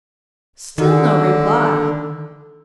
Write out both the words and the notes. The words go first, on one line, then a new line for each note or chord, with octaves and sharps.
Still no reply.
D3 D#3